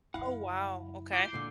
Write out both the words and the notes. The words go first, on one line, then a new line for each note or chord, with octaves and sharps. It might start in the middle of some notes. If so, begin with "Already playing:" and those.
Oh, wow. Okay.
F#2 C#3 E4 F5 F#5
F4 D6 G6 C7
C#2 A#2 D3